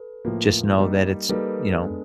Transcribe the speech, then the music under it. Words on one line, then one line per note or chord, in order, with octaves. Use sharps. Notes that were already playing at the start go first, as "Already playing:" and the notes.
just know that it's," you know,
Already playing: A4 B4
A2 F3 A#3
G3 A#3 D#4
G3 A#3 D#4 A4 B4
G#3 B3 D4